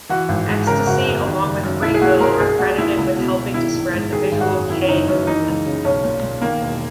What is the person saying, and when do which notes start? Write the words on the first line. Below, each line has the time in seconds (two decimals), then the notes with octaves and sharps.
Extasy along with Free-Will are credited with helping to spread the visual kei movement.
0.09 E3 F#4
0.29 G#1
0.48 G#2
0.67 C#3 A#4
0.86 F#1 F#4
1.05 E2
1.25 D#3
1.44 F#1
1.63 F#2
1.81 B1 E4
1.94 G#4
2.01 A#2 F#4
2.20 A#2 A#4
2.40 A#1 G#4
2.59 A#2 F#4
2.78 A#2 E4
2.97 C#2
3.16 B2
3.35 B2
3.54 D#3 E4
3.74 A#1
3.93 G#2
4.12 D#3 G#4
4.32 G#1
4.40 F#4
4.50 F#2
4.69 D#3 E4
4.82 C#4
4.89 F#1 D#4
5.08 F#2 C#4
5.27 E3 D#4
5.47 C#2
5.65 C#3
5.84 B1 C#4
6.04 A#2
6.23 A#2
6.42 D#3 A#3
6.62 E1